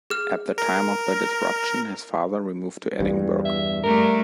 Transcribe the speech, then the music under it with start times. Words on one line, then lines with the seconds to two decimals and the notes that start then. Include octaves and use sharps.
At the time of the disruption his father removed to Edinburgh.
0.10 G#4 F6
0.58 A#4
3.00 E2 G2
3.45 E5
3.84 G2 A3 D4 A#4